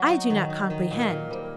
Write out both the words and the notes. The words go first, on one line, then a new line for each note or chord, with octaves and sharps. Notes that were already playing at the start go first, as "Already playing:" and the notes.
'I do not complehend!'
Already playing: F#3 F#5
D#4
D#3
D#4
D#3
A#2 A#4
A#2
G3 C5
A#4